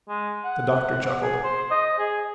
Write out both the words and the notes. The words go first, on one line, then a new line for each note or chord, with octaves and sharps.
The Doctor chuckled.
G#3
F#5
G#4
C5
D#5
G#4